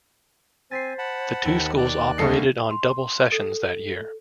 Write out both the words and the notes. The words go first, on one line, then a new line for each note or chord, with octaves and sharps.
The two schools operated on double sessions that year.
C4 C5 G#5 A6 B6 C7
F#5 A5 B5
D#2
D5 F#6
D2 G3 A#3 D4 A4 D#5 C7
C6
A4